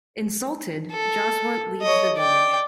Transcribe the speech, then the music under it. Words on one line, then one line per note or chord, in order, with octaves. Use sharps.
Insulted, Jaswant leaves the village.
A4
C#5 D#5
D5 G5